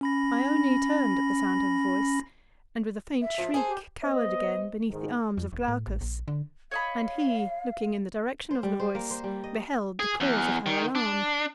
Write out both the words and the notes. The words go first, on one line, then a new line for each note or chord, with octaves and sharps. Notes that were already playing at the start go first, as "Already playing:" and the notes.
Ione turned at the sound of the voice, and, with a faint shriek, cowered again beneath the arms of Glaucus: and he, looking in the direction of the voice, beheld the cause of her alarm.
C#4 B5 A#6
E5
F3 F4
G#4 A4 C5
G4
B3 C5 D#5
G#2 D#3
F2
E1
A2
A1
A#1
D3
C#5 D#5 F5 B5
C5
G3
C5
A#3
C5
G3
D#5
G#4
E2
D#3
D4